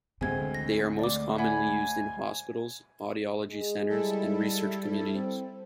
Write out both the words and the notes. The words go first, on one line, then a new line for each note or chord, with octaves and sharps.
They are most commonly used in hospitals, audiology centers and research communities.
D2 D3 G#3 A3 C4 G#5 G#6
A#6
D5 D6
E5 F#5 G#5 B5
G#3
G3 E4 A4
C4